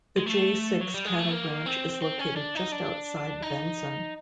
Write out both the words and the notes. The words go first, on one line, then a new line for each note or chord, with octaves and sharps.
The Jay Six cattle ranch is located just outside Benson.
G#3
A3
F#3
G3
G#3
A3
A#3
C4
C4
C#4
D4
D#4
D4
D#4